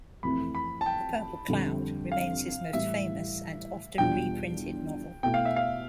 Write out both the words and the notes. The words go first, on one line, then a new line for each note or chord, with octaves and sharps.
"The Purple Cloud" remains his most famous and often reprinted novel.
F2 E3 A3 C4 B5
B5
A5
G5
F2 D3 G3 C4
F5
A2 E3 G3 E5
E2 B2 G3 D4 F4 G5
B2 A3 E4 G5
F5
E5
F5